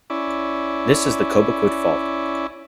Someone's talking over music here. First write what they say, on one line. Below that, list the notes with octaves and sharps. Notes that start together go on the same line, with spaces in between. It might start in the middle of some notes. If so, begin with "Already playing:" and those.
This is the Cobequid Fault.
C#4 E4 D5